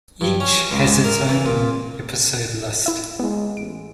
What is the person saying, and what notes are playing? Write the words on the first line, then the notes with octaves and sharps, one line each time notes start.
Each has its own episode list.
G2
C#4
C#2
G#2
A#4
E3
A#2
E4 E5
G#3 B3
A1 D7